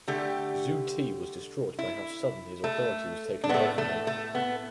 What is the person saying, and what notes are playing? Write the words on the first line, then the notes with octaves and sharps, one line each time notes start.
Zu Ti was distraught by how sudden his authority was taken away from him.
D3 A3 G4
E4
A3
D4
A2 A3 B3
A3
A3
B3